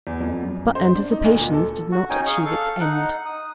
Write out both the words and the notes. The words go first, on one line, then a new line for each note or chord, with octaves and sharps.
But Anticipations did not achieve its end.
E2
F2
F#2
C5
D4
D#4
D2
A#2
A4
F#4
C#4 D#4 G5 G#5
G#4 F5 C#6
A4 F5
D#4 F#5
D#6